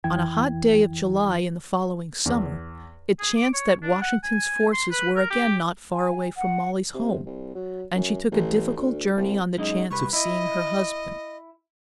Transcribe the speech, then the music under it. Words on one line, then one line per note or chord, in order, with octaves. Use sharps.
On a hot day of July in the following summer it chanced that Washington's forces were again not far away from Molly's home, and she took a difficult journey on the chance of seeing her husband.
F2 E3 E4 G5 G#6
E2
G#4
D6
C#5
D4
F#5
G#5
C6
B4
A#4
G4
G#5
F#5
C3
C2
F#3
F#2
A1
D2
C2
F#2 G#3 D#4
C2 B4 C#6
E4 D#5